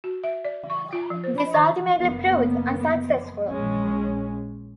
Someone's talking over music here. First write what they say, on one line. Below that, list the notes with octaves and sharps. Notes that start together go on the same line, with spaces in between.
This ultimately proved unsuccessful.
F#4
E5
D5
C#6
F4
F3
C5
B5
D#3
F#1 A#3 B3
A#1 G#3 C#4